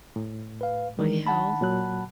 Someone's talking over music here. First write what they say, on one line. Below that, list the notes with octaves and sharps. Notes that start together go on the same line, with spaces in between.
my health
A2
B4 F5
D#3 E3 G#3 D4 A#4
F#5 A5 B5
A#2 F#3 F#6